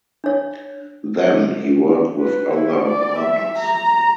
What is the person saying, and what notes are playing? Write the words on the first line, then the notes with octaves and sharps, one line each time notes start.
Then, he worked with other partners.
D4 C#5
B4
E4
D5
E5
A#5